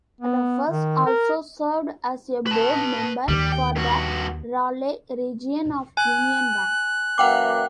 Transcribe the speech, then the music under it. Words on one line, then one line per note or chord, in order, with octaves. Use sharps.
Rufus also served as a board member for the Raleigh region of Union Bank.
B3
D#3
A#4
B4 A5
D#2 D#3 G3
G5
G2 F#4
G#5 F#6
F#2 E3 A#3 F#5 G5 D6